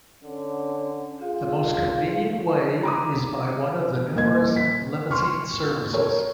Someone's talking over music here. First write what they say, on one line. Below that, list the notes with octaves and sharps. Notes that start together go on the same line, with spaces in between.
The most convenient way is by one of the numerous "limousine services".
D3 C#4
F4 G#4
A#5 D6 D#6
D#1 A#3 D#5 G#6
B6
C6 C#6 F6
A4 A#4 C#5